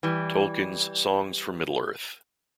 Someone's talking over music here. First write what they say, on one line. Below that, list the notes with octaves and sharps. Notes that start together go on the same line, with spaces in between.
Tolkien's Songs from Middle-earth.
E3 G3